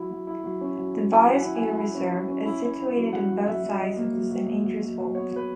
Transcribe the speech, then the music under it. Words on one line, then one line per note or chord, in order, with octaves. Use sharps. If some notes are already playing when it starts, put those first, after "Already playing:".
The biosphere reserve is situated on both sides of the San Andreas Fault.
Already playing: F#3 E4
F#3
E4
F#3
C#4
F#3
F#3
E4 G#5
F#3
F#5
E4
G#5
F#3
E4
C#4
F#3
C#4
E4
E4
E4
F#3
F#3 F#5
F#3
F#3 E5
F#3
F#3 D#5
A#3
F#3
F#3
A#3
F#3
F#3
F#3
B3 C#5
F#3
B4